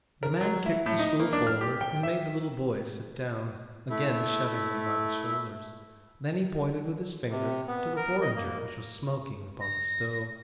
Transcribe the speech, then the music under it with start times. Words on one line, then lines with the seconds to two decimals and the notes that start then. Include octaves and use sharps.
The man kicked the stool forward and made the little boy sit down, again shoving him by the shoulders; then he pointed with his finger to the porringer which was smoking upon the stove.
0.23 A#4
0.41 F#3
0.66 E4
0.86 A2
0.99 D#4
1.20 A#3
1.33 D4
1.47 F6
1.61 G4
1.81 G5
2.03 E5
3.90 A3 E4
7.30 C3
7.68 B3
7.97 A#4
8.21 D#5
8.36 A#3
9.61 A#6